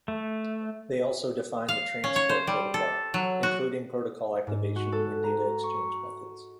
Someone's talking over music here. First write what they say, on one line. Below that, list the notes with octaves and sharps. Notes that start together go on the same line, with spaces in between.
They also define the transport protocol, including protocol activation and data-exchange methods.
A3
F5
C#4
C#5
C5
G3
A4
F#3
F#4
G#2
F#4
A4
A#5
C#6